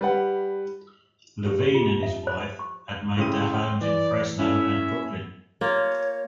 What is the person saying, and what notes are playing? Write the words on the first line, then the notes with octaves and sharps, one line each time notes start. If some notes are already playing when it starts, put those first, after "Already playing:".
Levine and his wife had made their homes in Fresno and Brooklyn.
G3 B4 F#5
G4
G4
F4
E5
C5
C#6
A2 C#3 C4 D#7
E3 D5
C#4 E4 A4 E5
A#3 F4 C#5